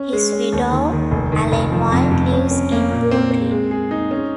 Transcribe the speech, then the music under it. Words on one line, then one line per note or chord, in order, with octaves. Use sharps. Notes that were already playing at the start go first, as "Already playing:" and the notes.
His widow, Allene White, lives in Brooklin.
Already playing: C#4
G#3
C#4
D#2
D#3
D#3
F1
D#3
F1
F3
F2
F2
C#4
C#4
A#3
A#2
C4
C4
G#3
G#4
D#4
C#4